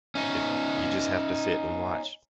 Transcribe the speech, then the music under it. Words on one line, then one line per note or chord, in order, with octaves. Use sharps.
It's j you just have to sit and watch.
C#4 D#4